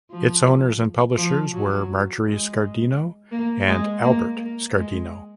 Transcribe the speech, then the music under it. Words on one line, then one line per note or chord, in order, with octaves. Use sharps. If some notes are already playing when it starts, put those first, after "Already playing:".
Its owners and publishers were Marjorie Scardino and Albert Scardino.
F3
F3
F#3
G#3
A#3
G#3
A#3
A#3
G#3